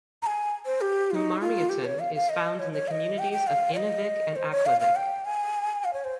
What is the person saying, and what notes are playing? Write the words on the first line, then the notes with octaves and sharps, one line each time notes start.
Uummarmiutun is found in the communities of Inuvik and Aklavik.
A#5
G#5
C5
G4
F4
D#4
F4
G4
C#5
F5
F5
D#5
C#5
C#5
F5
D#5
G5
G5
F5
C#5
D#5
C5
C#5
F5
F5
G5
G#5
F5
C#5
C5